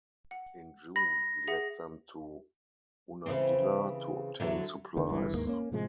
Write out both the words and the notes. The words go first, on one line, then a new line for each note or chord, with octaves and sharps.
In June, he led them to Unadilla to obtain supplies.
F#5
B5 A#6
G#4 E5 F#5
C#3 E3 C4
D3 F#3 E4
D3 D#3 A3
G1 G2 C#3 E3
D#2 G#2 A#3
A#3 C#4
A2 C3 F3 G#3